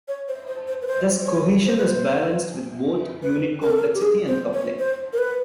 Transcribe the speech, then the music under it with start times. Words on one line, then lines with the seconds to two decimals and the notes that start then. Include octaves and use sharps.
Thus cohesion is balanced with both unit complexity and coupling.
0.08 C#5
0.28 C5
0.47 C5
0.68 C5
0.82 B4
0.87 C5
1.20 C5
1.27 C#5
1.65 C5
1.78 B4
1.88 C5
3.23 B4
3.62 A#4
3.70 A4
3.79 A#4
3.94 G4
4.02 G#4
4.28 C5
4.53 C#5
4.79 C5
5.13 A#4
5.18 B4